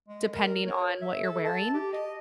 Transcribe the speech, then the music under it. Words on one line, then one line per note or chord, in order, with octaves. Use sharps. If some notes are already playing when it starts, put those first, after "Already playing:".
depending on what you're wearing,
G#3
A#4
C#5
E5
A4
A5
G4
D#5